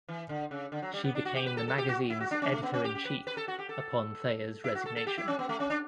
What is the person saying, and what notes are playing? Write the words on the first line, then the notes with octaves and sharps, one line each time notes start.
She became the magazine's editor-in-chief upon Thayer's resignation.
E3
D3
C#3
D3
F#3
G3
B3
D4
F#4
G4
B4
A4
A4
G4
F#4
E4
F#4
D4
C#4
A3
B3
C#4
G4
G4
B4
B4
A4
F#4
G4
A4
E4
F#4
A4
A4
G4
E4
C#4
B3
A3
C#4
D4